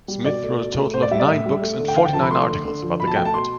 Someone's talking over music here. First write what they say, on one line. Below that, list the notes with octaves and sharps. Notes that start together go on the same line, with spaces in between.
Smith wrote a total of nine books and forty-nine articles about the gambit.
G3
B2 D5
A3
B2
A3
A2 C5
D5
G3 E5
D5
A2 E5
G3
A3
D3
G5
D3 F5
G5
F3 A5
B5
A3 C6
D3
D3
F3
B2 B5
A5
A3 G5
A5
B2 C6